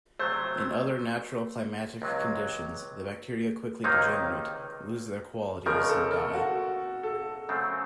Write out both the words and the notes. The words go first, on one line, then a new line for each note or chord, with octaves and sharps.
In other natural climatic conditions the bacteria quickly degenerate, lose their qualities and die.
C3 F#3 A3 C5
C#2 C3 F#3
C#2 C3 D#3 A#3 D#4 C5
C#2 C#3 F3 A#4
A4
A4
F#4
A4
F#2 C#3 A3 C4